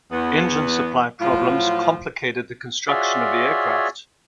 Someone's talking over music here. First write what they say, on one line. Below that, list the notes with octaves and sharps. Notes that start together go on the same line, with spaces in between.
Engine supply problems complicated the construction of the aircraft.
E2 B3
A2 F3 F#3 F4
F4 F#4 G#4 C#5 D5 E5